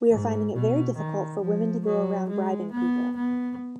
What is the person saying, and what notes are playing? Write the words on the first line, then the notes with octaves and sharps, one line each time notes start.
We are finding it very difficult for women to go around bribing people.
G#2
B2
D#3
F3
F#3
G#3
B3
B3